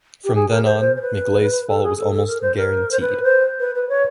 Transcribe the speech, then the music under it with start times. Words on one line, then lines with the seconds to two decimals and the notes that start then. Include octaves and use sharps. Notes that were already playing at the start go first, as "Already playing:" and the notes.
From then on, McLay's fall was almost guaranteed.
0.24 G4
0.35 G#4
0.50 A#4
0.65 C5
0.80 C5
0.96 C5
1.02 B4
1.68 A4
1.83 G#4
1.98 A4
2.12 A4
2.27 A#4
2.42 C5
2.57 A#4
2.92 C5
3.01 B4
3.23 C5
3.60 B4
3.75 B4
3.89 C#5